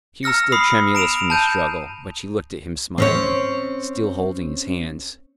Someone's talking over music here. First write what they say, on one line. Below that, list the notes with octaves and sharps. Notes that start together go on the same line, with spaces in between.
She was still tremulous from the struggle; but she looked at him smiling, still holding his hands.
A#5 E6 F6 A#6 C#7
B5 D#6 C7
A#5 D7 E7 F7
A5 G6 D#7
C4 C#4 C#5